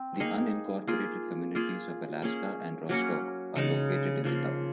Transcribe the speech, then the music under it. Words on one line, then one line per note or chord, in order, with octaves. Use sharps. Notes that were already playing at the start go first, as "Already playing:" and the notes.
The unincorporated communities of Alaska and Rostok are located in the town.
Already playing: C4
A#3 D#4 G#4
A#3 F4 G#4
A#3 F4 G#4
A#3 C#4 G#4
F#3 A#3 C#4 F#4
C#3 G#3 D#4
C#3 F3 A#3 F4